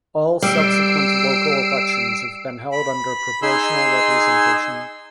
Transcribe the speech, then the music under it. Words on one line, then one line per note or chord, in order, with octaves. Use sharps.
All subsequent local elections have been held under proportional representation.
G3 E6 C7 D7
B5
D#4 G#4 C6 E6